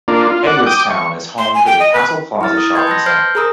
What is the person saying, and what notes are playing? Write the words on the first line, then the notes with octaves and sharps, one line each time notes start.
Edwardstown is home to the Castle Plaza Shopping Centre.
A#3 D4 F4
F4
D5 F#5
G5 D6 D#6
C#6
C6
G#5
G5
D#5
B4
E4 A#5 F6 A6
D#6
B4 D#5 G5 C6 G6 G#6
A5 E6 F#6 A#6
C5 F6 G6 C7
G#4 A#4 A#5 D#6 E6